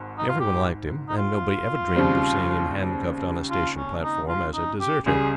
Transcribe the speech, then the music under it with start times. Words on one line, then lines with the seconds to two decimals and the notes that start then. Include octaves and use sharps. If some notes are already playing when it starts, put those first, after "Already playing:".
Everyone liked him; and nobody ever dreamed of seeing him handcuffed on a station platform as a deserter.
Already playing: G#1 G#2
0.18 D#4
0.29 F4
0.40 G4
1.09 D#4
1.18 F4
1.95 D#2 C#3 G3 C4
3.51 F4
3.77 C#4
4.03 D#4
4.29 F4
4.54 D#4
4.81 G4
5.06 C#2 C#3 G3 G#4